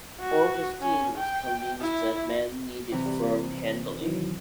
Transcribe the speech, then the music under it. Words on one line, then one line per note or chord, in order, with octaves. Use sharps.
Augustine was convinced that men needed firm handling.
F#4
C#4
G5
E4
C3 E3
G3
D#3 E3 F#3